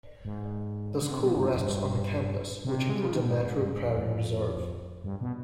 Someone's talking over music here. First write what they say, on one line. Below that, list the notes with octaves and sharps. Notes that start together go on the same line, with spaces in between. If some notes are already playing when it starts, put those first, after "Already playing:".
The school rests on a campus which includes a natural prairie reserve.
G#2
D3
C3
B2
G2
F2
G#2
G2
C3
G#3
G3
F3
D#3
B2
G#2
G#2
G2
G#2
F2
F2
G2
B2